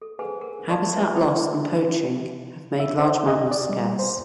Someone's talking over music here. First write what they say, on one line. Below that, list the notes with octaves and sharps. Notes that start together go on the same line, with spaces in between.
Habitat loss and poaching have made large mammals scarce.
A4
G#4 B4 C5 F#5 G#5
A#4 F#5
D5 D#5 F#5 A5 C#6
C#4 B4 D5 E5 G#5
D#4 E4 C5 G5
E5
C5
D#5
D5
G3
C5